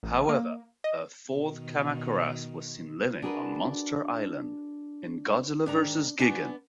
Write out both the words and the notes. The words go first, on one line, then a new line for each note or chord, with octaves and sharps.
However, a fourth Kamacuras was seen living on Monster Island in "Godzilla versus Gigan".
A1
A#3
D#5
B2 D#3
D4 F#4 G#4 A#4 B4
G#2 D#3 D4 A#5
B3 D4 F#4 G#5